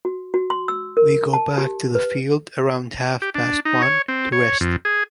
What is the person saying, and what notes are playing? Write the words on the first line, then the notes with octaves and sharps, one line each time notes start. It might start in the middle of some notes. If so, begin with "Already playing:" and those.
We go back to the field around half past one to rest.
F#4
F#4
C6
E6
A#4
A5
G4
B4
G4
D4
D#4
C#5
C4
C#5
F2
G#4